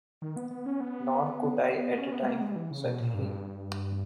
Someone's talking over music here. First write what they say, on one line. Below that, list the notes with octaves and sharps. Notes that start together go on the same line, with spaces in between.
"Nor could I — at the time," said he.
D#3
B3
B3
C#4
B3
C#4
B3
G#3
A#3
G#3
G3
E3
C#3
B2
A#2
G2